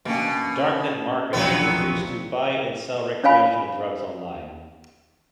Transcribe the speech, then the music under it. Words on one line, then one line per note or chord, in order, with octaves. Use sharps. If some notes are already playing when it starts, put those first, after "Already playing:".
Darknet markets are used to buy and sell recreational drugs online.
B2 A#3 C#4
E1 A#1 F#3 B3 C5
C#4 C#5 F5 G#5 B5